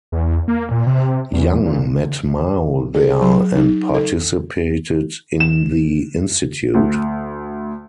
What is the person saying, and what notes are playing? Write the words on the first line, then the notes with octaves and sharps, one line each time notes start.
Yang met Mao there and participated in the institute.
E2
A#3
A#2
C3
E2
A#2
G#4
F#3
D#4
A4
E7
D2